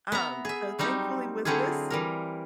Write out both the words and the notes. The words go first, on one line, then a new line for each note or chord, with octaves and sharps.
Um, so thankfully, with this,
B3 E5 A#5
G#4 E5
F#3 G3 C4 D#4
D3 F#3 C4 E4 F4 G#4
E3 G3 A#4